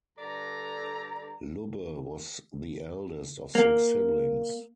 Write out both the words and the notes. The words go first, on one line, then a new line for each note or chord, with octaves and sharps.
Lubbe was the eldest of six siblings.
G2 D3 A4 D5 A#5
A#3